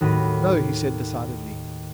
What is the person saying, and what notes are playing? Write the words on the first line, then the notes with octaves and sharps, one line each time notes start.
'No,' he said decidedly.
D#2 A2 F#4 A#4 B5 D#7